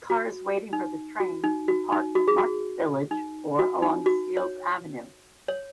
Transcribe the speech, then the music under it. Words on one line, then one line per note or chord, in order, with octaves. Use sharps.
Cars waiting for the trains were parked at Market Village or along Steeles Avenue.
F#4
D#4
F#4
D#4
F#4
D#4
F#4
G#4
F#4
D#4
F#4
D#4
F#4
C#5
C#5